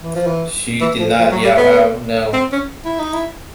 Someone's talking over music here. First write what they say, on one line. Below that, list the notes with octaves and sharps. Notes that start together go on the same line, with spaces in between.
She did not yell out — no!
E3
F3
E3
E3
F3
F3
F#3
G3
B3
C4
C#4
E4
D#4
E4